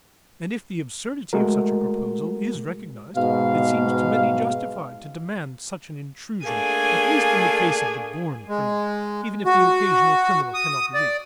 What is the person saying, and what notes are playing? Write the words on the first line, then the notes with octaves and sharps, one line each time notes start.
And if the absurdity of such a proposal is recognized it seems to many justified to demand such an intrusion at least in the case of the born criminal, even if the occasional criminal cannot be reached.
G#3 A3 F#4 A#4
G#2 B2 F5
A3 A#3 D4 G#4 G#5
G#3
F#4
D#6
D5